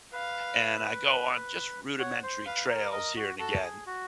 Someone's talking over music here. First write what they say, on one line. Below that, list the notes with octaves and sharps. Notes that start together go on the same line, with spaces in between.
and I go on just rudimentary trails here and again,
B4 F5
C#5 F#5
C5
B4 F5
A#4
A#4 D#5
F#4
F#4 A4
G#4
F#4